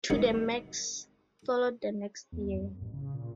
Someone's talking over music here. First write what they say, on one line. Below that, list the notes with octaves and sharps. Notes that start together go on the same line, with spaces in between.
"To the Max" followed the next year.
C2 G#2 D#3 F#3 C#5 D#5
E2
F#2
A1
C#3
A#2